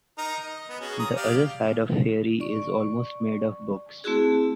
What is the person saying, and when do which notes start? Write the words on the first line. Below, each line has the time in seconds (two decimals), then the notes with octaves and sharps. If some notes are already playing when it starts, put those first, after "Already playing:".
The other side of Fairey is almost made of books.
0.18 D#4 A#4 A#5
0.43 D#5
0.69 B3
0.81 C#4 F#4 G#4
0.99 A#5 D#6
1.17 G4 D5 F5
2.40 D5 C#6
4.04 A3 C4 E4 F#4 G#4